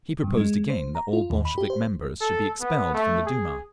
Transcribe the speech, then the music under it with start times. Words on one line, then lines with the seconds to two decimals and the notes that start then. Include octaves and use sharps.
He proposed again that all Bolshevik members should be expelled from the Duma.
0.24 G2
0.37 G#3
0.70 C5
0.95 A#5
1.13 F4
1.30 D#2
1.45 B5
1.58 G4
1.70 C5
2.21 A4
2.61 B3
2.94 A3
3.26 G#4